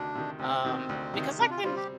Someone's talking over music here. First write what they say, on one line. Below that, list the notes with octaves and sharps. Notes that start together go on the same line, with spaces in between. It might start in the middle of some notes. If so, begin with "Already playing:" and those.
um, because I couldn't,
Already playing: D2 C3 D#3 D4
C3 D#3
D2 C4
C3 D#3
D2
C3 D#3
C3 D4
F4
G3 C4 F4
G4